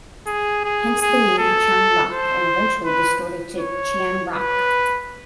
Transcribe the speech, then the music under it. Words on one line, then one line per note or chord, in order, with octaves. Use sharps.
Hence the name Chang Lak and eventually distorted to Chiang Rak.
G#4
G#4
G#4
A4
C5
B4
C#5
B4